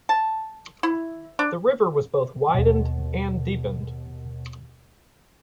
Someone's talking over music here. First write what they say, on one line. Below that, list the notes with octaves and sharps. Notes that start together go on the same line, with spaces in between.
The river was both widened and deepened.
A5
E4
D4
D#2 B2